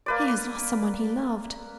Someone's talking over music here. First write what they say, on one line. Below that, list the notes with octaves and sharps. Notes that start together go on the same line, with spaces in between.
'He has lost someone he loved.
A#3 B4 D5